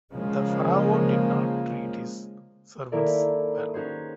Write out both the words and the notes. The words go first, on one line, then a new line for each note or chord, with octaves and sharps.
The pharaoh did not treat his servants well.
C#3 F3 G#3 A#3
D#3 A#3 E4 A4 A#4 D5
C#4 D#4 F#4 G#4 C5